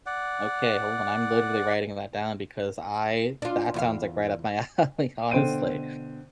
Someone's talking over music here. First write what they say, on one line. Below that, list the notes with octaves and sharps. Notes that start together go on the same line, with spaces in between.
Okay, hold on, I'm literally writing that down because I that sounds, like, right up my alley, honestly.
D5 F#5
D4 F4
E2 F4 F5
B2 D3 C5 G5 D7 D#7